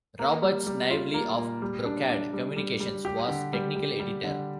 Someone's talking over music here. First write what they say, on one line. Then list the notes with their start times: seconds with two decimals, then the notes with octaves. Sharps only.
Robert Snively of Brocade Communications was technical editor.
0.19 A#3
0.42 G3
0.66 G3
0.90 F4
1.14 A#3
1.37 A#2
1.62 G3
1.86 D4
2.10 D4
2.33 G3
2.56 G3
2.80 G3
3.05 G4
3.28 D3
3.53 G3
3.76 G3
4.00 G3
4.24 D3